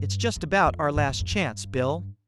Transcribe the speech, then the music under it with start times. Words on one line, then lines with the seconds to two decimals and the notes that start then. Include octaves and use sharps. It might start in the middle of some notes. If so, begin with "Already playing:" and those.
It's just about our last chance, Bill.
Already playing: G2
0.36 E2
0.66 F2
0.96 G#2
1.08 G2
1.20 F2
1.31 G2